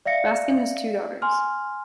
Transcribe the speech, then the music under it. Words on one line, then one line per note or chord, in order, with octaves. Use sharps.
Baskin has two daughters.
D5 E5 F5 A#6 C#7
G#5 C6 F6